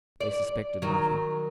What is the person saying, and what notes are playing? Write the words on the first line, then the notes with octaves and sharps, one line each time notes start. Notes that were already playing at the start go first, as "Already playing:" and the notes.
They suspected nothing.
D5
D#3 F#3